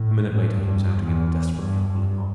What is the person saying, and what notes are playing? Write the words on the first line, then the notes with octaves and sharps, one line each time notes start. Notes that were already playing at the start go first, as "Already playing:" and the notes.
A minute later he was out again and desperately hobbling on.
Already playing: A2
G2
E2
G2
G2